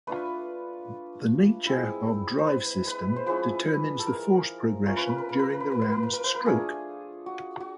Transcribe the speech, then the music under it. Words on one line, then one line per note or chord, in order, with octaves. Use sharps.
The nature of drive system determines the force progression during the ram's stroke.
A3 D4 F4 B4
G#3 C4 E4
C5
B4
B4
C5
F3 G#3 C#4 E4 B4
A4
A#4
A3 C#4 F4 A#4
B4
A#4
B4
A#4
B4
A#4
B4
A#4
B4
A#4
B4
A#4
B4
A#4
A3 D4 F4 G#4
F#4
F#4